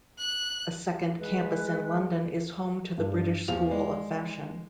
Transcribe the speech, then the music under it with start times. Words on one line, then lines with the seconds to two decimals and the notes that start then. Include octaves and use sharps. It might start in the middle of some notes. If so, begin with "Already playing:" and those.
A second campus in London is home to the British School of Fashion.
0.18 F#6
1.20 G#3 B4
2.98 G2 D4
3.48 E2 F3 F5 F7
3.71 G#3 D5